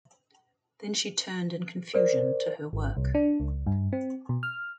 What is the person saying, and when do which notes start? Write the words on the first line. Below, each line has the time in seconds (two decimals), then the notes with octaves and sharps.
Then she turned in confusion to her work.
1.94 A#4 C5 D5
2.73 G#1
2.97 C2
3.15 D4
3.40 C#2
3.67 G2
3.93 C4
4.29 B2
4.43 F6